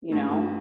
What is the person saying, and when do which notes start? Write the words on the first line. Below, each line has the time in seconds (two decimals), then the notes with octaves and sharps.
you know?
0.12 G2 A3
0.31 A3